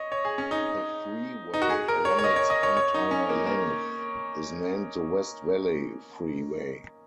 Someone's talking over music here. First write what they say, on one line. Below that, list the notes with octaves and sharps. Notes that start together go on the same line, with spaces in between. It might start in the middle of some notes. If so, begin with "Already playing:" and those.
The freeway, along its entire length, is named the West Valley Freeway.
Already playing: C#5 D#5
C#5
G#4
C#4
D#4
D#4
F#4
G#4
A#4
C#5
C#5
D#5
C#5
D#5
C#5
C#5
D#4
C#4
A#3
A#3